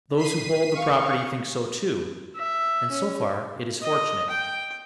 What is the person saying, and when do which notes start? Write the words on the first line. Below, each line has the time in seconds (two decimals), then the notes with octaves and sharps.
Those who hold the property think so too, and so far it is fortunate.
0.17 B6 C7 D#7
0.73 F5 C#6
2.36 E5
2.91 C#4
3.82 D#5
4.30 G5